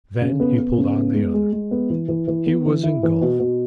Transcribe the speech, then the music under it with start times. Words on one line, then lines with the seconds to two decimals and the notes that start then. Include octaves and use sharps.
Then he pulled on the other: he was engulfed.
0.21 C#3
0.40 B3
0.59 B3
0.77 C#3
0.96 B3
1.15 G#3
1.34 G#3
1.53 G#3
1.71 B3
1.90 E3
2.08 E3
2.28 E3
2.46 B3
2.66 E3
2.83 E4
3.03 E3
3.21 B2
3.40 B2